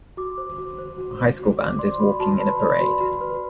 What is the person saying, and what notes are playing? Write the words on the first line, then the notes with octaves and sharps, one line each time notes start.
A high school band is walking in a parade.
F#4 D6
C5
F#4
C5
F#4
C5
F#4
C5
D6
D5 C6
F#4 B5
F#4 A5
C6
B4 B5
D5 B5
C6
F#4 B5
F#4
B4